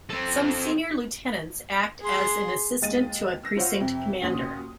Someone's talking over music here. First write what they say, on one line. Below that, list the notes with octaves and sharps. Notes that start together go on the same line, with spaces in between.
Some senior Lieutenants act as an assistant to a precinct commander.
C4 A4
G#4 C6
D#2 G#3 D#5 A6 D#7
E6 A#6
F4 C5 C#5 F5 F#5
F2 C3
D#2 A#2 C#4 F#4 C6 D#6